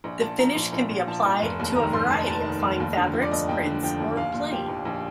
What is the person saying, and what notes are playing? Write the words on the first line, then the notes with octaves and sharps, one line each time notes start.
The finish can be applied to a variety of fine fabrics, prints or plain.
A#1
A#2 A5
F3 A#5
A#1
A#1
A#2
F3 A5
A#1
F1
D#2
D#3 A#5
F1 C6
F1 A5
D#2 A5
D#3
F1
D#2
D3
F3
D5
D#2 D#5
D#2 G5
D3
F3 G5
D#2
A#1 F5
A#2
F3 G4
A#1
A#1